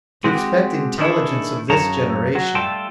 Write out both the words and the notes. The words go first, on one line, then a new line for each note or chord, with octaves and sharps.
"To expect intelligence of this generation!"
G#3 C4 F#4 G4
D#3 G3 D4 E4 G#4 A4
F#2 C#3 C#5 A5 A#5
F#3 F#4
G3 A3 F4 A4 G5 A5